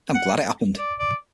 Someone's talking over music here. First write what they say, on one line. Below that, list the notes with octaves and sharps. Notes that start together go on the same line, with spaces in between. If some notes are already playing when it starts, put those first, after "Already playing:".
I'm glad it happened.
F#5
D5
D5